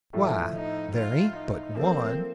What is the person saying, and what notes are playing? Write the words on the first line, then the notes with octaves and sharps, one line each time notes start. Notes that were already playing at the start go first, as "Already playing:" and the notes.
"Why, there ain't but one."
A2 F3 A3
D#4
F4
D#4
F3 A#3 C4 F4 A4 C5